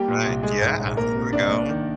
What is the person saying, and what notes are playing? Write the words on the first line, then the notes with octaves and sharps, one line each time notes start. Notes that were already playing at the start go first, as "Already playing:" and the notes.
Right. Yeah. There we go.
Already playing: G3 A#3 G4
A#2
C2
G#3 G#4
G#2
A#1
A#3 A#4
C3
C2 D4 D5
A#3
D#3